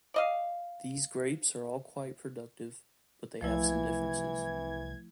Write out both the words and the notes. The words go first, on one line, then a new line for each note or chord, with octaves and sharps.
These grapes are all quite productive, but they have some differences.
D5 D#5 F5
C2 E3 F3 A3 E4 G#6